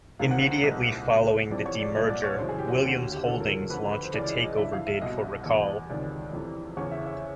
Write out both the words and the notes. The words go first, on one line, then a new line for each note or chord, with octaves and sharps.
Immediately following the demerger, Williams Holdings launched a takeover bid for Racal.
C#2 C3 D#3 F5
F#5
F5
C2 A#2 D#5
C#2 B2
F2 C3 E3 D5
C#5
D5
C2 A#2 D#5
D5
C#5
F#2 C#3 E3 C5
G#4
G4
F#4
D#2 D3 G4
F#4
G4
D2 C#3 E3 A4
A#4
F2 D3 B4
B4
C5
C#2 C#3 E3 D5
D5
D#5
D#5
G2 E3 E5
F5
E5
C2 B2 D#5
E2 B2
C#2 C3 D#3 D5
F2 C3 E3
E2 C#3 E3 C#5
E5
E5